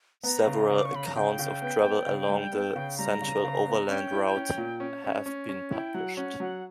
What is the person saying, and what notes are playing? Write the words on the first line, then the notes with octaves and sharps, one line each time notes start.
Several accounts of travel along the Central Overland Route have been published.
B3 A#5
C#3
C#3
D6
C#6
C#3 B5
A#5
C#3 G5
C#3
B3
B3
C#3
G3
B3
C#3
G3 A#5
C#3
C#3
B3
C#4 G5
E4
C#4
A#2
C#4
C#4
C#4
C#4
E4 G5
F#3 F#5
C#4 F#5
F#3 F#5